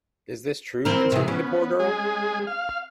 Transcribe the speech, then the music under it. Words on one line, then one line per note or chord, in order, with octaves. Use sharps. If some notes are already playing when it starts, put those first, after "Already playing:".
Is this true concerning the poor girl?
E3 C4 A#4
C3 G#4
B3 C#4
G#3 G#4
F5